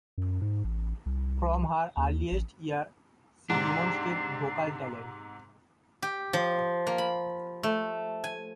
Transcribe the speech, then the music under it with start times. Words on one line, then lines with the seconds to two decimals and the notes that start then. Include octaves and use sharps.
From her earliest years, she demonstrated vocal talent.
0.18 F#2
0.42 G#2
0.64 A1
1.06 C2
1.97 D#2
2.32 A1
3.50 G#2 C3 D4
6.02 G4
6.33 F3
6.87 A#3
6.98 B5
7.63 A3
8.24 G#5